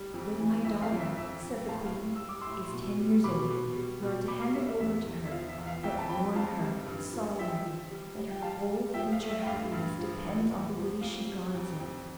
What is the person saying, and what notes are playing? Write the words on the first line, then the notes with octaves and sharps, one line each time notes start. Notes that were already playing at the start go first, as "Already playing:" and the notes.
'When my daughter,' said the queen, 'is ten years old, you are to hand it over to her, but warn her solemnly that her whole future happiness depends on the way she guards it.
Already playing: G3
F2
E3
F2 E5
F5
F2
E5
F2 E5
F2
A2 F5 A5
F5
G3
E6
G3
D6
C6 E6
A2
B2
G3
B2 B5 D6
B2
G3
B2
G3 B5 D6
F5
G3 E5
E5
E2 E5
E2
E5
F3 F5
E5
E2
F5
F2 E5 G5
A5
F2 G5 B5
F2 F5 A5
G3
G2
F3
F3 E5 G5
F3
G3
G3
G5
G3 F5 A5
G3
F3 E5 G5
F5
A3
E5
G5
G2 F5
G2
F3
E2
E2
F3
F2 F5
G3
F2
F2